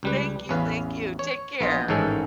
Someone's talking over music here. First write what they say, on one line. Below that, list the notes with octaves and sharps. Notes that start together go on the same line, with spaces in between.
Thank you, thank you, take care.
C#2 G3 B4
A1 E2 C#4 B4 F5
C#5
A#1 B3 F4 D#5
A1 G#2 D#3 C#4 A4 G#5